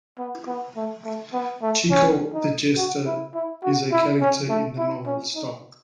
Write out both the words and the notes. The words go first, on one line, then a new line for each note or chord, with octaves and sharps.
Chicot the Jester is a character in the novel.
B3
B3
A3
A3
B3
A3
C#4
D#4
F#4
E4
E4
F#4
E4
C#4
A3
E4
C#4
D#4